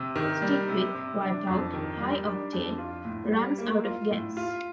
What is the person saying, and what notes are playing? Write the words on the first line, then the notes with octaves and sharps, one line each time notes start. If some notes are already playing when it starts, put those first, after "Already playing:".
Stick with "Wipeout" - "Hi-Octane" runs out of gas.
Already playing: C3
D#3
G3
C3
C3
D4
F2
D#3
G3
D4
F2
F4
A2
G3
A#3
F4
A2
F4